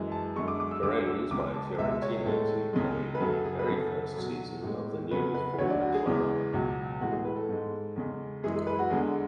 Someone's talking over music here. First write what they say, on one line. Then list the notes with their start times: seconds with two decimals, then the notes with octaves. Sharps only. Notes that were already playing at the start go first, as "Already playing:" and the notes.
Firenze by Fiorentina to play the very first season of the newly formed club.
Already playing: F#2 E3 G#3
0.12 A5
0.36 F#2 D3 G#3 C#6
0.48 D6
0.60 D6
0.71 E6
0.83 D2 D3 G#3 D6
1.07 E6
1.31 C#2 C#3 G#3 D6
1.54 A5
1.78 C#2 B2 G#3 E5
2.02 C#5
2.25 A2 G#3 A4
2.73 C#2 C#3 G#3
3.15 B4
3.20 F#2 C#3 F#3 A4
3.44 G#4
3.59 B4
3.68 F#2 C#3 F#3 A4
4.16 E2 B2 F#3
4.63 A2 G#3
5.11 E2 C#3 F#3 B4
5.34 B4
5.58 D2 D3 F#3 C#5
5.70 D5
5.81 F#4
5.94 G#4
6.06 E2 C#3 E3 G#3
6.53 C#2 B2 F#3
7.01 A2 E3 G#3 F#4
7.12 G#4
7.25 B4
7.36 A4
7.49 G#2 G#3
7.96 E2 C#3 G#3
8.43 F#2 E3 G#3 G#4
8.56 G#4
8.67 B4
8.79 F#4
8.90 E2 D3 G#3 G#4